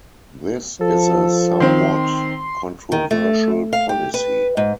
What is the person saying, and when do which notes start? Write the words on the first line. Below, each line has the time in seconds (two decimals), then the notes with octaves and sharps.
This is a somewhat controversial policy.
0.81 F3 A4
1.60 D#3 C4 C6
2.92 D#3
3.11 A3
3.73 F5
3.89 G4
4.14 B4
4.57 G#2